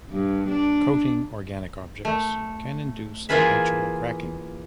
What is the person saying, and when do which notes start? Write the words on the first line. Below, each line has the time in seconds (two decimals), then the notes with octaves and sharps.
Coating organic objects can induce eventual cracking.
0.11 G2
0.48 D4
2.05 A3
3.29 E3 A#3 F4 G#4 B4 E5